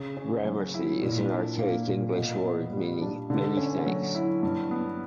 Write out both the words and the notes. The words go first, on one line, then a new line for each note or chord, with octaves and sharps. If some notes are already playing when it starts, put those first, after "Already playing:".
"Gramercy" is an archaic English word meaning "many thanks".
Already playing: C#3
C#4
F#3
E4
A#2
D4
A#3
A#2
B2
B3
G3
D4
D3
C#4
F#3
E4
G2
B3